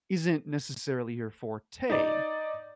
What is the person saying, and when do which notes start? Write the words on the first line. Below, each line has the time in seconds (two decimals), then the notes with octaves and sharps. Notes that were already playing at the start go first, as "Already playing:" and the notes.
isn't, necessarily, your forte.
1.90 D#4 D5